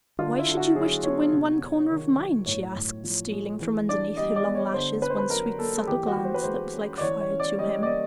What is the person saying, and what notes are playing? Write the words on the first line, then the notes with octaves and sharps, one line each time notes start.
"Why should you wish to win one corner of mine?" she asked, stealing from underneath her long lashes one sweet, subtle glance that was like fire to him.
D3 F4
E4
D3
F#4
F#3 G#4
B3 C#5
C3
C3
D#3
F#3
A2 C#5
A2
F3
G#3
E3
D4 D5
G3 D#5
D5
B3
C#5
D3 C5
C#4 B4
C5
B4
F#3 A#4
A#3 A4
G#4
E3 G4
F#4
E3
C5
B4
G#3 C5
C#4
D5
E3 C#5
C#5
C#4
D5
G3 D#5
D5
A#3 D#5